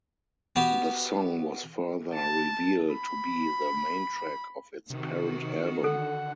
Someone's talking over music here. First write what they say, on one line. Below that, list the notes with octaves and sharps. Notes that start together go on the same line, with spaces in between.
The song was further revealed to be the "main track" of its parent album.
B3 F#4 G4
A5
B5
C3 D#3 F#4
D3 A4 F#5